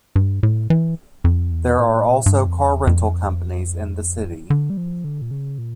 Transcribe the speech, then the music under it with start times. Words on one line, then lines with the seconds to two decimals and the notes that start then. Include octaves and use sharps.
There are also car rental companies in the city.
0.16 G2
0.43 A2
0.70 E3
1.24 F2
1.52 E2
1.79 A2
2.05 A#2
2.26 G2
2.46 F2
2.67 E2
2.87 F2
4.50 D3
4.70 G3
4.77 F3
5.04 D3
5.22 A#2
5.31 C#3
5.58 A#2